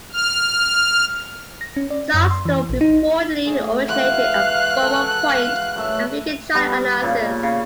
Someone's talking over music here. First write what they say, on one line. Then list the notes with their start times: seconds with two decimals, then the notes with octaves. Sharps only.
Charles Dow reportedly originated a form of point and figure chart analysis.
0.12 F6
1.61 A#6
1.76 C#4
1.90 D5
2.14 F#2
2.31 C6
2.45 E3
2.70 A#1
2.81 D#4
3.46 A2 G#4
3.89 E3 G#3 F#4 F5 F#6
4.82 A4
5.23 F5
5.76 F#2 A3 E5
6.54 G3 B3
7.02 A#2 C#3
7.43 C#3